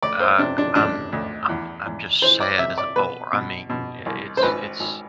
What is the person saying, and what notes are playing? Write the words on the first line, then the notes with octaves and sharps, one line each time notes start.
uh, I'm I'm I'm just sad as a bowler, I mean, i it's it's
D2 D5
C5
C3 D4
D4
D2 D4
D2
E2
E2
E3 C5
D5
C3 E5
D5
B2 B4
B2
B2
C2
C5
G#1 B4
G#1